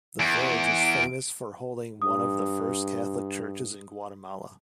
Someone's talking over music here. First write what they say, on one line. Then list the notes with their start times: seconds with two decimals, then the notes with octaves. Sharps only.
The village is famous for holding one of the first Catholic churches in Guatemala.
0.20 E2 D7
2.02 G2 D#6